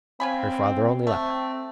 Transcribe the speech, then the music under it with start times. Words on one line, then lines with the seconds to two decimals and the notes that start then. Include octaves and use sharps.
Her father only laughed.
0.20 C#3 C4 G#5 B5
1.07 A3 C4